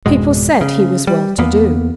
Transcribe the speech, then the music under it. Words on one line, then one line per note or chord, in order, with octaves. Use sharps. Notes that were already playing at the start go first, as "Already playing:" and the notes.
People said he was well-to-do.
G#1 F2 B2 G#3
C#3
G3
E2 A#3 B3